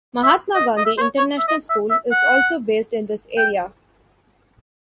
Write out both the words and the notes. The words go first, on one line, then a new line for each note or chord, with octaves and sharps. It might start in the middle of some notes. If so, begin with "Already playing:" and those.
Mahatma Gandhi International School is also based in this area.
E5
D#5
D#5
E5
C5
C#5
C#5
E5
D#5
E5
E5
F#5
G5